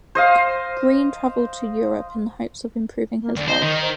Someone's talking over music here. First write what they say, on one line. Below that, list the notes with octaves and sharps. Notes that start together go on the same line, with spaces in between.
Greene traveled to Europe in the hopes of improving his health.
C5 D#5 F5
A#3
D2 D5
C5 D#5
D#3
C5